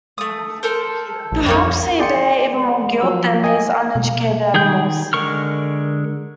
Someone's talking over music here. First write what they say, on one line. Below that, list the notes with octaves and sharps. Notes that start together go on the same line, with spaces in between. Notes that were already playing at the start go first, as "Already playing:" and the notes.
Perhaps we bear even more guilt than these uneducated animals.
A3 D#6
A4 A#4 C5
A#1
F2 G3 A#3 C#5
G#4 D5 G5 C6 C#7
F3 F#3 E6
D#5 G5 G#5
B2
D#3 G#4 G5 G6
D3 G#3 A#4 C#6 F6